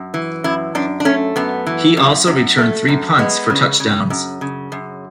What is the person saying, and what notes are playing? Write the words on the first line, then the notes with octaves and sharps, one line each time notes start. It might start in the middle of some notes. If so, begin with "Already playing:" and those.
He also returned three punts for touchdowns.
Already playing: F#2
E3
F#2 E4
F#2 D4
D4
A3 C#4
F#2 B3
E3
F#2
F#2
A3
F#2
G#3 B3
C#3
C#3
F#2
C#3
F#2